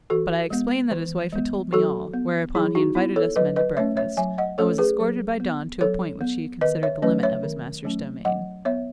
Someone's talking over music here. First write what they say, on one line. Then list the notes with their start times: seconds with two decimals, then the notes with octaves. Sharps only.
But I explained that his wife had told me all, whereupon he invited us men to breakfast, and was escorted by Don to a point which he considered the limit of his master's domain.
0.10 E3 F#4 A4
0.50 G#3 B3
0.91 E3
1.32 G#3 B3
1.73 F#3 F#4 A4
2.14 B3
2.55 F#3 E4 G#4
2.75 D#4 F#4
2.95 B3 E4
3.16 A4 C#5
3.36 F#3 B4 D#5
3.56 B4 D#5
3.77 A3 C#4 C#5 E5
3.97 C#5 E5
4.17 F#3 E5 G#5
4.38 D#5 F#5
4.58 A3 C#4 A4 C#5
4.78 G#4 B4
5.00 F#3
5.40 B3
5.81 F#3 A4 C#5
6.21 B3
6.61 D#3 B4 D#5
6.83 C#5 E5
7.02 F#3 A3 C#4 B4 D#5
7.23 C#5 E5
7.43 D#3
7.84 F#3 A3 C#4
8.25 F#3 D#5 F#5
8.65 B3 C#5 E5